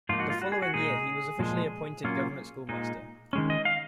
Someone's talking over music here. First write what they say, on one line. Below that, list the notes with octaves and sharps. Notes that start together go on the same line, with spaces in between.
The following year he was officially appointed government schoolmaster.
G#2 F3 A#3 D#4 F4
F#4
F4
F#4
G#4
F#4
A#2 G#3 D#4 G#4
A#2 F3 G#3
A#2 F#3 A#3 C#4 F4
A#2 G#3 D#4
D#3 G#3 C#4
D#5
F5